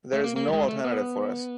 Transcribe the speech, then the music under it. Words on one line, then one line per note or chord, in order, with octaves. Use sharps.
There is no alternative for us.
A3
A#3
A#3
G3
G#3
A3
B3